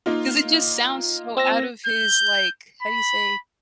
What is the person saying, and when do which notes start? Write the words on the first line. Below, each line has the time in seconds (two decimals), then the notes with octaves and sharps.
'Cause it just sounds so out of his, like how do you say
0.06 A#3 D#4 F4
1.37 C4 E6 A#6
1.86 G6
2.82 B5